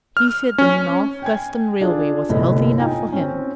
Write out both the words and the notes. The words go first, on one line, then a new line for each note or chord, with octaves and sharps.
He said the North-Western Railway was healthy enough for him.
F6
C#4
G5 G#5 G#6
D4 F4 G#4 A4
G1 A2 C3 D#5
D#4 F4 G5 G#5
C4 C#4